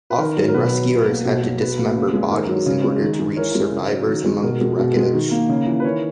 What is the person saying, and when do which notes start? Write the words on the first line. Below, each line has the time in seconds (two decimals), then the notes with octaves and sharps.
Often, rescuers had to dismember bodies in order to reach survivors among the wreckage.
0.10 B4
0.18 D#3 A#4
0.37 F#3
0.48 A#4
0.54 B2 B4
0.72 F#3
0.89 B2
1.08 A#3
1.25 B2
1.42 F#3
1.60 B2 B4
1.78 A#3
1.96 C#3
2.13 G#3
2.31 D#3 A#4
2.48 F#3
2.66 C#3
2.84 G#3
3.01 D#3
3.19 G#3
3.36 E3 A#4 C#5
3.55 G#3
3.72 C#3
3.90 F#3
4.08 D#3
4.26 G#3
4.42 B2 A#4
4.61 G#3
4.79 B2
4.97 G#3
5.13 D#3
5.31 A#3
5.49 C#3
5.67 E3
5.80 B4
5.84 D#3 A#4 C#5